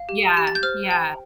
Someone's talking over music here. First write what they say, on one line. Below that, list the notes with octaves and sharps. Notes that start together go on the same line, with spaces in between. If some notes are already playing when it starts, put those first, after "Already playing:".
Yeah, yeah.
Already playing: F5
G4
G4
A6
G6
C5 F6
G5